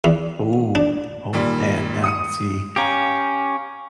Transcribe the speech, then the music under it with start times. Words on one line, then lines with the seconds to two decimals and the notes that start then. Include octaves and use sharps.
Ooh, oh man, now, see
0.04 E2
0.75 D4
1.33 D#2 A#2 G3
2.04 D#6 C#7 D#7
2.76 C#4 G4 F5 A#5